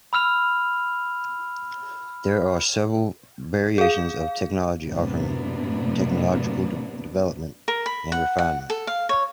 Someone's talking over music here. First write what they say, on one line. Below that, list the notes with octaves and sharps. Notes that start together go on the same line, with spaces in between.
There are several variations of the technology offering technological development and refinement.
B5 E6 F6 F7
G#4 F5
F#2 A2 C3 A#3 B3 D4
A#4
B5
F#5
F#5
A4
F5
C#5